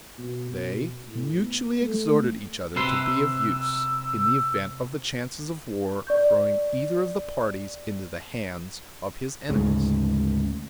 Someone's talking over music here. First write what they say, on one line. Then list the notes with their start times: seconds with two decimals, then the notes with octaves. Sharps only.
They mutually exhorted each other to be of use in the event of the chances of war throwing either of the parties into the hands of his enemies.
0.18 B2
0.51 B2
1.07 A2
1.39 B3
1.81 A3
2.76 C3 B4 C6 E6
6.07 D5 C#6 G6
9.49 D2 G#2 C#3